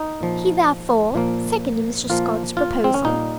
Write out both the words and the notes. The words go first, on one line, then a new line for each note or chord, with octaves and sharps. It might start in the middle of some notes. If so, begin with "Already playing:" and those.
He therefore seconded Mr. Scott's proposal.'
Already playing: D#4
A#2 F3 A#3
A#2 F3 A#3
A#2 F3 A#3 F4
F4
C4
C#4
A#2 G3 A#3 D#4